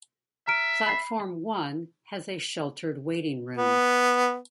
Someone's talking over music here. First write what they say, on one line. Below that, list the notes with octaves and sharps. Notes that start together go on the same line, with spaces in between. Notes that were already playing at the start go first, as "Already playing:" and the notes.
Platform One has a sheltered waiting room.
E5 A#5 F6 D7
B5 C7
B3